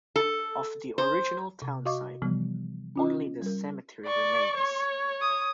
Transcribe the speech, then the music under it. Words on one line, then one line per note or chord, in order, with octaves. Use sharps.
Of the original townsite, only the cemetery remains.
A4
C5
C3
F#4 D#5 F5 C#6 D6
C3 E3 F3 G3 B3
C#4 F4 D#5
G3 A#4
D5 C#6
C#5
D#6